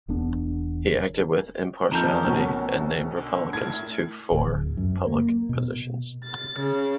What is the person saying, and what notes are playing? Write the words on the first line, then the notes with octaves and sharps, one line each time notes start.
He acted with impartiality and named Republicans too for public positions.
E1 E2 B3 D4
F2 A#4 A5 A#5 G6
B1 B2 C#4
D3
A3 E4 A#4 G#6
D1
F#2
A#3
B2
A6
C#3